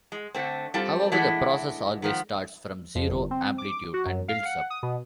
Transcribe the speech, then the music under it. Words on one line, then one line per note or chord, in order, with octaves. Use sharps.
However, the process always starts from zero amplitude and builds up.
G#3
D3 A3 C4
G3 C4 F4 A4
E3 G#3 A3 B3 D4 E4
D#3 F3 B3
F2
G1
C4
D6
F#4
F#2
F5
F#5
D#6
B2